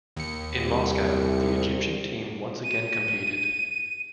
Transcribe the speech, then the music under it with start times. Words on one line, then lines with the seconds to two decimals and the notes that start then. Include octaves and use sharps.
In Moscow, the Egyptian team once again competed.
0.17 D#2 C#7
0.54 C2
2.64 D#7